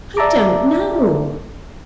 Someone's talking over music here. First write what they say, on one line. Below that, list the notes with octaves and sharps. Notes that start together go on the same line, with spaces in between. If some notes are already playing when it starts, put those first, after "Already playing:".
"I don't know."
D5 E5 A5 A#5 D6